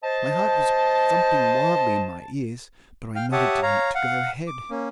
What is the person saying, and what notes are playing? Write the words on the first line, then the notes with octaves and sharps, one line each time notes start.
My heart was thumping wildly in my ears, but I nodded to him to go ahead.
C5 D#5 A5
F5 G5 F6
G4 C#5 E5 F#5 A5 D#6
C#5 F5 A#5
F5 F#5
D6
A#3 C#4